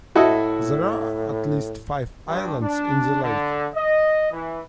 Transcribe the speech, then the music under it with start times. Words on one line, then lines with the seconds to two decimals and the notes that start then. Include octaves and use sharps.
There are at least five islands in the lake.
0.16 A2 E4 F#4 A4 D#5 E5
2.28 G2
2.61 D4
3.23 D3
3.75 D#5
4.32 E3